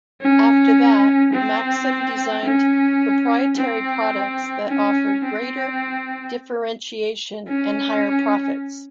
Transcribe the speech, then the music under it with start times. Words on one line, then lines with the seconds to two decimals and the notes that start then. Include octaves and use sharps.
After that, Maxim designed proprietary products that offered greater differentiation and higher profits.
0.22 C#4
1.33 C4
2.45 C#4
3.57 C4
4.69 C#4
5.24 C4
7.49 C#4